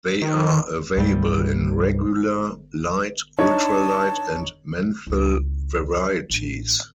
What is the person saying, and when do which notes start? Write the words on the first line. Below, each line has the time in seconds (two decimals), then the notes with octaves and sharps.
They are available in regular, light, ultra-light and menthol varieties.
0.22 D#3
0.97 C2 G2 G3
3.38 D4 D#4 C#5 A5
5.07 C#2 E4
6.30 A1 D4